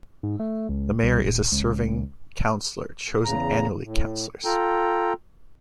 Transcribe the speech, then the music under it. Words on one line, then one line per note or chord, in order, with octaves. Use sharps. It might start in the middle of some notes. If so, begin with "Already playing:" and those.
The Mayor is a serving councillor, chosen annually councillors.
G#2
A3
C#2
C2
D#1
C#2
E2 C#3 A#5
A2
F4 A4 G5 A#5